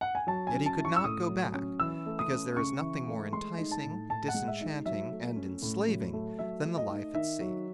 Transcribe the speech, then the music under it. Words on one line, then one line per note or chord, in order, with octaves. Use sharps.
Yet he could not go back, because there is nothing more enticing, disenchanting, and enslaving than the life at sea.
F#5
G#5
F#3 A5
G#5
C#4
A5
E4
C#6
E6
A2 D#6
F#3
C#4
E3 E6
A3
D#6
C#4
C#3 C#6
E3
A3
G#3 C6
D#4
A5
A2
A2 A5
F#5
G#3
E5
D#4
F#3 E5
A3
C#4
A2
F#3
A3
F#3 E5
A3
D#5
D#4
D#3 E5
F#3